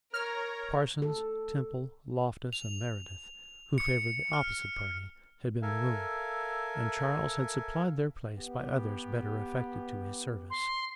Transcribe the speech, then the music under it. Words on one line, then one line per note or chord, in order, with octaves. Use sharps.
Parsons, Temple, Loftus, and Meredith, who favored the opposite party, had been removed; and Charles had supplied their place by others better affected to his service.
A#4 C#5 A#5 F6
A4
F7
C#7
F6
A4 A#4 E5 F5 G#5
B3 G4
C6